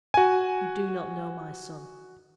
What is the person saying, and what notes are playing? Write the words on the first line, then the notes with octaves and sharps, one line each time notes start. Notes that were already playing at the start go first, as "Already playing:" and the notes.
You do not know my son.
F#4 G#5